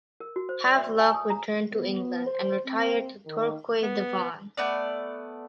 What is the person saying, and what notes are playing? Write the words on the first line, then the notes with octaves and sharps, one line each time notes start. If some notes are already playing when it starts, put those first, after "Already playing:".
Havelock returned to England, and retired to Torquay, Devon.
A#4
F#4
C5
D5
E5
G#5
D#6
A#5
B3
C5
C4
D#3
B3
A3 B3 D5